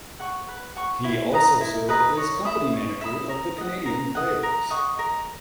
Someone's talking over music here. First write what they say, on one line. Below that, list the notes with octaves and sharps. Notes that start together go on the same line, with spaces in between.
He also served as company manager of the Canadian Players.
F#5 C#6
B4
F#5 C#6
E4
B4 D#5 A#5
E4
B4 D#5 A#5
C#5
E5 B5 D#6
C#5
E5 B5 D#6
A#4
D#5 F#5
A#4
D#5 F#5
A#4
D#5 F#5 C#6
A#4